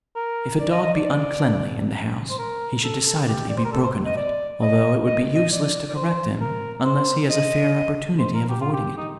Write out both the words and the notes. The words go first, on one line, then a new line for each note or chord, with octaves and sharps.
If a dog be uncleanly in the house, he should decidedly be broken of it, although it would be useless to correct him unless he has a fair opportunity of avoiding it.
A#4
D5
D#5
D#5
D5
D5
C5
A#4
A#4
A4
A4
G4
D5
C5
A#4
A4
C5
D#5
D5
D#5
D#5
D#5
D5
D5
C5
A#4
C5
D#5
C5
A#4
G4
F4
G4
D#4